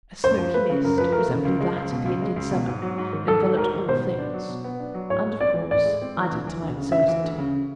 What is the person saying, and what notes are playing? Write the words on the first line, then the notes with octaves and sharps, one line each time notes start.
A smoky mist, resembling that of the Indian summer, enveloped all things, and of course, added to my uncertainty.
F#2 C5
F3
A3 B4
C#3
F#2 A#4
F3 B4
A3 A#4
C#3
C#2
G#3
C#2
B2
C#2
G#3
C#2
B2
G#2
F#3
G#2
D#3
G#2 A4
F#3
G#2 A#4
D#3
B2 C5
B3
D4
F#3
B2
B3
D4
F#3
A2 C#5
G#3
C4 D5
E3
A2 D5
G#3
C4
E3
D2
E3
D2
C#3
D2 E5
E3
D2
C#3